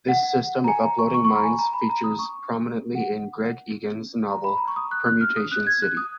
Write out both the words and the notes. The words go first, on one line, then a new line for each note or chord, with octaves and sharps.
This system of uploading minds features prominently in Greg Egan's novel "Permutation City".
F#5
F#5
A#5
G#5
A#5
C#6
C#6
C#6
B5
A#5
G#5
A#5
B5
A#5
D#6
C#6
F#5
A#5
B5
A#5
C#6
D#6
F#6
F#6
F6
D#6
F#6
G#6
F#6
D#6